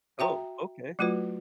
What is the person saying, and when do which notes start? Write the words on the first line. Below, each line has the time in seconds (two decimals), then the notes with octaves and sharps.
Oh, okay.
0.19 F#4 E5 G5 A#5
0.99 F#3 A3 F4 F#4 B4